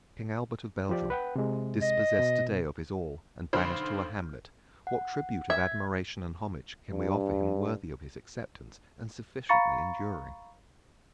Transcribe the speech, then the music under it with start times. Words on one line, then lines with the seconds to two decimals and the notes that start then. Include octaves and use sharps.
King Albert of Belgium, dispossessed to-day of his all and banished to a hamlet--what tribute of admiration and homage can we offer him worthy of his acceptance and sufficiently enduring?
0.89 F3 G4 D5
1.10 B4 F#5 G5
1.36 C3 G#3
1.82 D#5
2.19 B2
3.53 B1 D3 C5 B5 F6
4.87 F#5
5.50 E5 G#6
6.92 G2
9.49 F5 A#5 B5 C#6 A6 C#7